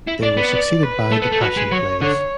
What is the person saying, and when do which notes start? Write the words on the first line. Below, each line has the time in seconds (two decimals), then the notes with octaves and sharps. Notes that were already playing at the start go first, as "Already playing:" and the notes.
They were succeeded by the Passion Plays.
0.08 E4
0.22 D4 D5
0.37 B3
0.53 D5
0.83 B4
1.11 A3 A4
1.22 B3
1.32 A3
1.41 F#3 B4
1.57 G#3
1.71 F#3 C#5
2.01 D3 C#5